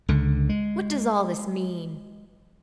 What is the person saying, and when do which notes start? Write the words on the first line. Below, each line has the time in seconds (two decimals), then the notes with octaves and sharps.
"What does all this mean?"
0.08 C#2 D3
0.49 G#3